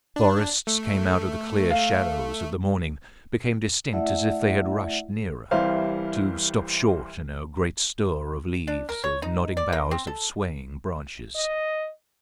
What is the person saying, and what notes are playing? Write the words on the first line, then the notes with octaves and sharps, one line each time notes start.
The forests came out of the clear shadows of the morning, became distinct, as if they had rushed nearer--to stop short in a great stir of leaves, of nodding boughs, of swaying branches.
D4
A3
F5
A3 E4 D5 E5 F#5
C2 E3 G3 E4 C5 F5
D4
A#4
C#5
D#4
D5
A#3
C4
A4
D#5